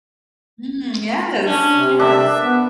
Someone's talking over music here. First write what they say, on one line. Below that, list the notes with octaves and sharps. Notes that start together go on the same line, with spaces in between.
Mm, yes, yes.
C#4 D4
C3
D4 A#4 E5
B3